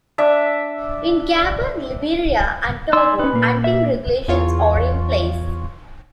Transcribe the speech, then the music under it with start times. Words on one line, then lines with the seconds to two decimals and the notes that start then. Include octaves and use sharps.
In Gabon, Liberia and Togo, hunting regulations are in place.
0.18 D4 D5 E5
2.93 D#4 D5 G#5 C6 E6
3.19 C#4 D#4 B4
3.33 A#2 A#3
3.64 E5
4.28 E2 F4 C#5